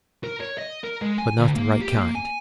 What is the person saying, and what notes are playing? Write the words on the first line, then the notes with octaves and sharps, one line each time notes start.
But not the right kind.
A#4
C#5
D#5
A#4
G#3
G#5
D2
A#3
G4
A#3
G#5